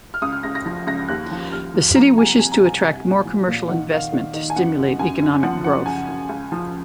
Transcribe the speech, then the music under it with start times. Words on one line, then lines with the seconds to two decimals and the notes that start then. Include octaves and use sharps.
The city wishes to attract more commercial investment to stimulate economic growth.
0.14 F6
0.22 C#2 D#6
0.32 F6
0.43 C#2 A#6
0.55 A#6
0.66 F3 A#6
0.87 C#2 A#6
1.09 D#2 F#6
1.31 F3
1.52 D#2 F6
1.74 F3
1.96 F3 A#5
2.17 C2 G#5
2.39 C3 G#5
2.52 A#5
2.61 C2 G#5
2.82 C2
3.05 A#2
3.25 F3
3.48 A#2
3.69 D#3 F#5
3.91 D#3 F5
4.13 D#3
4.34 D#3
4.50 G#5
4.56 F#2 F#5
4.78 F#2
4.99 F#2 G#5
5.21 F#2
5.43 F3 F#5
5.64 F#2 F#5
5.86 C#3 G#5
6.08 F#2
6.29 C#2
6.52 F3